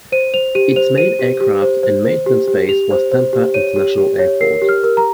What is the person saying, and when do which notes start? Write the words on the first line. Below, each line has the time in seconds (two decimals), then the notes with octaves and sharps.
Its main aircraft and maintenance base was Tampa International Airport.
0.12 C5 D#7
0.34 C5 F7
0.55 G4 D#7
0.76 C5 F7
0.98 C5 D#7
1.19 G4
1.41 G4
1.62 C5
1.83 C5
2.05 C5
2.26 G4
2.48 G4
2.69 G4 F7
2.91 C5
3.12 C5
3.33 G4
3.54 C#5 D#7
3.76 G4
3.98 G4
4.19 C#5
4.41 A#4 C7
4.62 G4
4.69 F6
4.83 A#4
4.97 A#5